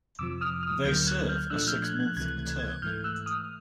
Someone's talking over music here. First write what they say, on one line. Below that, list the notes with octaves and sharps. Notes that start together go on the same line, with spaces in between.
They serve a six-month term.
F2 C3 F3 D6 E6
D#6 F6
D#6 F6
D2 D3 F#3 A#3 F6 G6
F#6 G#6
F6 G6
A#2 F3 A3 D4 E6 F#6
F6 G6
F#6 G#6
F#6 G#6
C#2 C3 E3 A3 F#6 G#6
G#2 E3 A3 F6 G6
E6 F#6
D#6 F6